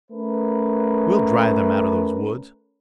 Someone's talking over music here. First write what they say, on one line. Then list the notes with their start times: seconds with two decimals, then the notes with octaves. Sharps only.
"We'll drive them out of those woods."
0.11 A3 C#4 A#4 B4